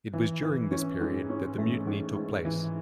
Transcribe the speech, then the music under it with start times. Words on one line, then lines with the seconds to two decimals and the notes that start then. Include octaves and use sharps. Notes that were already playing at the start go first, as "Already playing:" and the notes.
It was during this period that the mutiny took place.
0.13 E3
0.42 E3
0.71 C#4
1.01 G#2
1.30 C#4
1.58 A3
1.87 G#2
2.16 G#2
2.45 E3